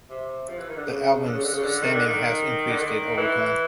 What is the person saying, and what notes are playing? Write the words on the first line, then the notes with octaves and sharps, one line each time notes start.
The album's standing has increased over time.
C3
F3
E3
D#3
D3
C#3
D3
C#3
D3
C#3
D3
D#3
D3
D#3
D3
D#3
E3